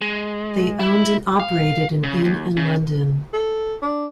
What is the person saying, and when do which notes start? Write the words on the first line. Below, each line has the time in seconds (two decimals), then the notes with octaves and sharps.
They owned and operated an inn in London.
0.01 G#3
0.79 E4
1.40 F5
2.03 C#3
2.24 D#2
2.57 C#3
3.33 A4
3.82 D4